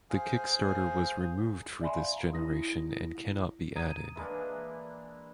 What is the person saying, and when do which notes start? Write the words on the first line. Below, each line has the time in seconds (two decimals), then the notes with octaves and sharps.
The kickstarter was removed for this generation and cannot be added.
0.10 G#4 C5 F5 G#5
1.81 D5 E5 G#5 B5 C6
1.97 F5
2.16 A#5
2.32 E4 D#6 A#6
3.76 A#5 D#6 G#6 D#7
4.16 E3 G#3 A#3 D4